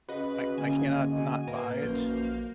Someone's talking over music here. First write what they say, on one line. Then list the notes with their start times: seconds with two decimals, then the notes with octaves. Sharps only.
I I cannot not buy it,
0.09 C#3 F#4 B4 D#5
0.58 D3 A#3 C#4 G#5
1.47 A2 A#3 B4
1.82 A#1 F#2 F3 G6